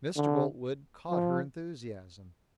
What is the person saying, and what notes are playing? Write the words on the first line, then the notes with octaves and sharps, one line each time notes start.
Mr. Boltwood caught her enthusiasm.
D3
F3